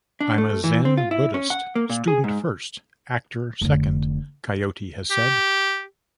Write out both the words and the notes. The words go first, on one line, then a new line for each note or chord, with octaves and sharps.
"I'm a Zen Buddhist student first, actor second", Coyote has said.
D4
A3
E3
C4
F4
E4
C#4
F#5
A#3
A#2
G#4
G#2
F1 D3
G4